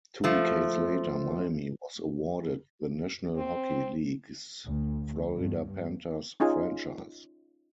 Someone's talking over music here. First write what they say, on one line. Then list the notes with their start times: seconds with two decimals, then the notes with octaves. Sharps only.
Two decades later, Miami was awarded the National Hockey League's Florida Panthers franchise.
0.24 F3 A3
3.36 C4
4.64 D2
5.35 G2
6.40 C#4 D#4 F4 G#4 G#5